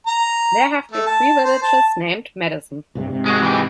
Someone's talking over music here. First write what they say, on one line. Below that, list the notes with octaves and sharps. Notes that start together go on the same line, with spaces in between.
There have been three villages named Madison.
A#5
A3
A5
C5
A5
C2 G2 C3
G#2 C3
G#3 F#4
E3 G#3 G4